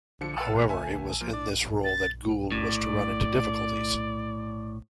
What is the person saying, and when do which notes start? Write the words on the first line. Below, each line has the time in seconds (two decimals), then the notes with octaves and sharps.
However, it was in this role that Gould was to run into difficulties.
0.21 D3 F3 C#7
0.38 B4 F5 A5 E6
0.55 A2 A#3
0.69 D2 E5 G#5 A5
1.21 F3 A#3
1.33 D4 D5
1.84 A6
2.52 A2 D5